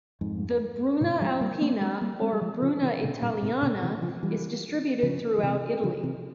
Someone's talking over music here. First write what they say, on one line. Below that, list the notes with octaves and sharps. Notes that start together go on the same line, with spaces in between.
The Bruna Alpina or Bruna Italiana is distributed throughout Italy.
F2 G#2
G#2 C3
F3 G#3
C4
G3 A#3
A#3 C#4
G#3 C4
G3 A#3
G#3 C4
G3
F3 G#3
C#3 F3
C3 E3
A#2 C#3
G2 A#2
G#2 C3
A#2 C#3
C3 E3
C#3 F3
E3 G3
C#3 F3
F3
C3 E3
C#3 F3
C3 E3